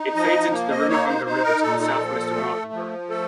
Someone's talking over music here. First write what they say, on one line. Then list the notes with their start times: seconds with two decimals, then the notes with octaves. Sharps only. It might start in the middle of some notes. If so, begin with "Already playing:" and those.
It feeds into the Ruamahanga River to the southwest of Martinborough.
Already playing: D#4
0.15 F3 D#5
0.52 A#3
0.71 D#5
0.89 D#4 C#5
1.08 C5
1.26 D#4 C5
1.44 A#4
1.62 A#2 A4
1.81 A4
2.00 F3
2.36 A3
2.73 F3
3.09 A3 A4